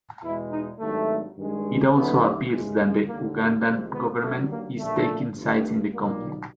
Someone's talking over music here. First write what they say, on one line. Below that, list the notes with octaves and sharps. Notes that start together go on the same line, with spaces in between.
It also appears that the Ugandan government is taking sides in the conflicts.
E2 B2 G#3 E4
D#4
G#1 G2 D#3 F#3 A3
G2 D#3 G#3
D#2 D3 F#3 A3 B3
D#2 C#3 E3 G#3
D#2 D3 G3 A#3
A3
C2 C3 F3 G#3 A#3
B3
G1 G2 D#3 F#3 A3
A#3
A#1 A#2 G3 A3
G1 G2 D#3
B1 A#2 G3 A#3